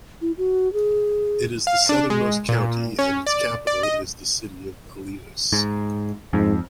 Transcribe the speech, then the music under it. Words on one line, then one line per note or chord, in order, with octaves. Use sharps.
It is the southernmost county, and its capital is the city of Alytus.
E4
F#4
G#4
F5
D4
G#3
A#2
C#4
D5
D5
D#5
G#2
F2 G#2